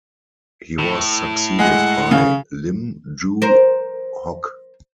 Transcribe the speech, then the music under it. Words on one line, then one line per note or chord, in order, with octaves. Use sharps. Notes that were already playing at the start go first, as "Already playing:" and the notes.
He was succeeded by Lim Yew Hock.
A2
G#3 F#5
C#3
A#4 C5